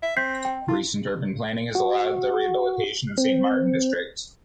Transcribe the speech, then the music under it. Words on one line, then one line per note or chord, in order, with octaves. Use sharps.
Recent urban planning has allowed the rehabilitation of Saint-Martin district.
E5
C4 G6 B6 C7
G5
E4 F4
F#4
C4